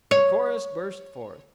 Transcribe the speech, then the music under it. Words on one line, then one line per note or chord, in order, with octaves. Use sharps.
The chorus burst forth.
C#5